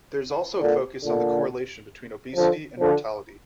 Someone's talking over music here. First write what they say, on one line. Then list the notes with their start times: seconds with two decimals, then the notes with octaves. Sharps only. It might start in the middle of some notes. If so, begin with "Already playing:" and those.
There is also a focus on the correlation between obesity and mortality.
0.60 A#2 D3
1.04 A#2 D3
2.36 D3 F3
2.80 D3 F3